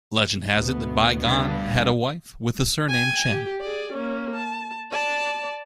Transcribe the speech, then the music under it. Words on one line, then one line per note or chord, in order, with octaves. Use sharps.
Legend has it that Bi Gan had a wife with the surname Chen.
D2 B2 B3
G2
G5 G#5
G4
G#4 D5
A#3 C#4
A5
D5 A5